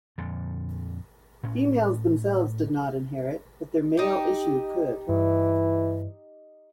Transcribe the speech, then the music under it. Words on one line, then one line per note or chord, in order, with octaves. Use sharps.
Females themselves did not inherit, but their male issue could.
F2 A#2 D3
A2 C#4
D#4 G4
G2 E3